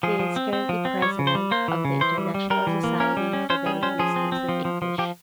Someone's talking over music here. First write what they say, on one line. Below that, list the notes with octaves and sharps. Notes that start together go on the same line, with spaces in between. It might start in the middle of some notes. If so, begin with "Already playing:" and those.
He is currently President of the International Society for the Linguistics of English.
F3 G#4
F3
C4
C4
F3
C4
G3 C#5
C#3
C5
G3
A#3 C5
E3
C#3
E3 C5
G3
G3
G3 A#4
E3
A#3
C#4 A#4
G3
C#4
C#4 C5
G3 G#4
C#4 C5
F3 G#4
C4
C4
F3
F3
F3
F3 G4